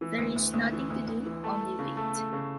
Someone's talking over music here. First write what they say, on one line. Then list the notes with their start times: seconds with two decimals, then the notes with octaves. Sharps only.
There is nothing to do, only wait.
0.01 E3
0.18 D2
0.36 D2
0.54 D2
0.72 E3
0.90 D2
1.08 D2
1.26 E3
1.44 A3
1.61 A3
1.79 C#3
1.97 A3
2.15 A3
2.33 C#3